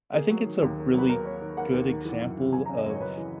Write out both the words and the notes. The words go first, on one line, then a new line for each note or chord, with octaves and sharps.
I think it's a really good example of
A#3 G#4
F#3
D#3
D#2
A#3
F#3 B4
A#3 A#4
A#3 C#5
D#3
A#3 F#5
D#2
D#3
E3
F#2
C#3
F#2 G#5
C#3 A#5
D#5
F#2 C#5
C#5
F#2 B4
E3